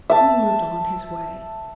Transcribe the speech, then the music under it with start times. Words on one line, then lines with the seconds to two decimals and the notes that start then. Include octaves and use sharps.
And he moved on his way.
0.10 E5 A5